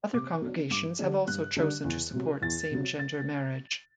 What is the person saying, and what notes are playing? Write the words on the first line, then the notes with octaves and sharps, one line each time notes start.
Other congregations have also chosen to support same-gender marriage.
C3 D6
F#3 B3 D4
G2 D6
D3 G3 D4
G2 F#6
D3 G3 D4
E2
C3 F#3
E2 A6
C3 F#3
A6